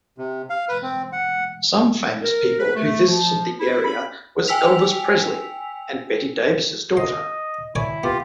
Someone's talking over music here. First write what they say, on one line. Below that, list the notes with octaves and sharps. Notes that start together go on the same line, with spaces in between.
Some famous people who visited the area was Elvis Presley, and Betty Davis' daughter.
C3
F5
B4
C4
F#5
A#4
B4
A3
F3
E4
B5
G5 G#5 E6 B6 F7
D#5 C6
E4 C#5 D5 G#5
B3 F4 G4